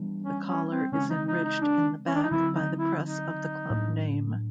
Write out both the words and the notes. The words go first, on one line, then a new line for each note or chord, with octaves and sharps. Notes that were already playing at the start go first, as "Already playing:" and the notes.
The collar is enriched in the back by the press of the Club name.
Already playing: E3 G3 B3 D4
C#4
C#4
C4
C#3 E3 G#3 C4 C#4
D#4
D#4
D#4
D4
C#4
D4
D#4
D3 F#3 A3 C4 E4
D#4
E4
D#4
A2 F#3 A#3 D4